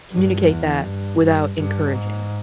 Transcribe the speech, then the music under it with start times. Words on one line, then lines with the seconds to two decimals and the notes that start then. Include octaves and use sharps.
communicate that without encouraging.
0.12 G2
0.49 E2
0.84 G2
1.20 G2
1.56 G2
1.93 G#2